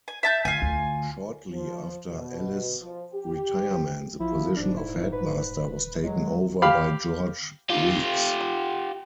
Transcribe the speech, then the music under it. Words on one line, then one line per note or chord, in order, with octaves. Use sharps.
Shortly after Ellis' retirement the position of headmaster was taken over by George Weeks.
G#5
E5 A5 G6
D2 F4 G#5
D2
F3
B2
F3
G4
A1 F3 E4
D#1 G#2 D4
E4
B4
F#3 G#3
G4 F5 B5
F4 G4